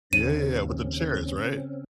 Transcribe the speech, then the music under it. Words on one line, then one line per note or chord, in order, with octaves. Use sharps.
Yeah, yeah, with them chairs, right?
D#2 C#3 C4 C#4 D#7